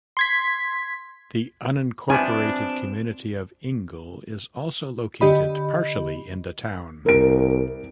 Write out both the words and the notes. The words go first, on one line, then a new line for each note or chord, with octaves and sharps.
The unincorporated community of Ingle is also located partially in the town.
C6 G#6 B6
C3 F3 G3 B3 C4 D4 G#5
D3 G4 D#5 B5
C2 A#4 D7